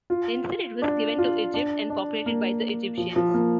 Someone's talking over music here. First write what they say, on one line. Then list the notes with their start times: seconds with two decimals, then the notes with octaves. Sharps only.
Instead, it was given to Egypt and populated by Egyptians.
0.10 F4
0.82 D4
1.18 F4
1.54 D4
1.90 D4
2.26 A#3
2.98 F3
3.16 F3
3.34 A#3